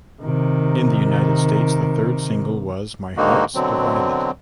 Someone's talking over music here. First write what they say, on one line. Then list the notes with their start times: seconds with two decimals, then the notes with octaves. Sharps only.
In the United States, the third single was "My Heart's Divided".
0.22 C3 D#3
3.17 G#2 D3 D#3 A#3 D#4 F#4
3.55 B2 D3 F#3 C4